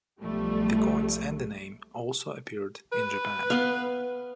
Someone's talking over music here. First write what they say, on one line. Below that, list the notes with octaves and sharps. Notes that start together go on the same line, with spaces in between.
The coins and the name also appeared in Japan.
B1 F3 G3 A3
B4
B3 F5